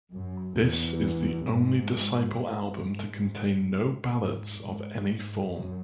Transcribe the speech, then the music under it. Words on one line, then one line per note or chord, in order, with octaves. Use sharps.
This is the only Disciple album to contain no Ballads of any form.
F#2
E2
G#2
G#2
G#2
G#2
F#2